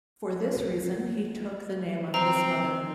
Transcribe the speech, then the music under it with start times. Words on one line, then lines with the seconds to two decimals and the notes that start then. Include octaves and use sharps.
For this reason he took the name of his mother.
2.14 C4 A#5